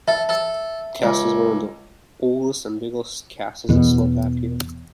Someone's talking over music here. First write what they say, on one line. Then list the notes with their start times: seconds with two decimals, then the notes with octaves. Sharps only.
The castle is one of the oldest and biggest castles in Slovakia.
0.08 A4 E5
0.29 A4
1.03 C#2
3.69 E2 B2